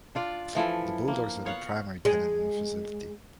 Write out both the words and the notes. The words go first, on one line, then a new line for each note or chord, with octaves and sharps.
The Bulldogs are the primary tenant in the facility.
D4 F4 D5
E3 F3 E4 A4
A#3
B3 C#5 F5 F#5
G#3